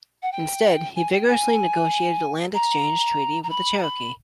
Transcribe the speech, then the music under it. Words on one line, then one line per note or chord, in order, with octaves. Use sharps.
Instead, he vigorously negotiated a land exchange treaty with the Cherokee.
F#5
G5
G#5
G5
G#5
A#5
A#5
B5
A#5
B5